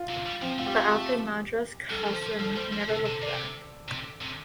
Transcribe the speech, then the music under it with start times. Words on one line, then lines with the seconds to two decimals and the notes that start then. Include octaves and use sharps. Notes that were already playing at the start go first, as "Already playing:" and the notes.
But, after Madras, Khasim never looked back.
Already playing: F4
0.09 C3
0.26 G3
0.42 F3 C4
0.59 A3 F4
0.66 G3 G4
0.74 A3 F4
0.92 G4
1.91 G3 A4
2.07 F3
2.13 C5
2.23 F3
2.34 A4
2.40 F3
2.56 G3 C5
2.73 F3
2.89 C3 A4
3.06 C3
3.22 C3 D5
3.88 C3
4.22 C3